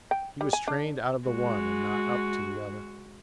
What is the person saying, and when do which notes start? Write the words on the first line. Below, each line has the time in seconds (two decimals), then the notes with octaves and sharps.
He was trained out of the one and not up to the other.
0.11 G5
0.41 G3
0.53 G#5
0.68 D4
1.27 G#3 F#4